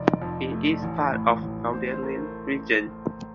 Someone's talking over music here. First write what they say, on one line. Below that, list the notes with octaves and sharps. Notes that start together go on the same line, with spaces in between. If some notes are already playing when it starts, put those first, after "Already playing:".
It is part of the Gauldalen region.
Already playing: F1 D#4 D5
F2
A3
A1
A2
A1
A2 C5
C5
A3 A#4